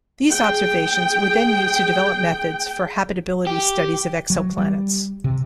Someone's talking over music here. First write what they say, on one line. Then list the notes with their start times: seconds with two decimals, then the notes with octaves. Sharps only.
These observations were then used to develop methods for habitability studies of exoplanets.
0.32 G#4 G5
3.47 G4
4.30 F#3
4.58 G3
5.24 C3